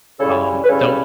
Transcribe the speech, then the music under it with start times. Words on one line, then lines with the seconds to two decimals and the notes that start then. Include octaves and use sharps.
um, don't
0.20 C#3 G3 C#4 E4 A4 C#5
0.64 B4
0.68 C#3 G3 C#4 E4 A4 C#5